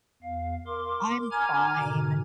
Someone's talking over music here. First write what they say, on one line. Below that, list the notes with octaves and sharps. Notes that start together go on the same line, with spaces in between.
I'm fine
E2 F5
A#4 C6 D6
G#5 A#5 D6 F6 G#6
G#2 B2 D3 D#3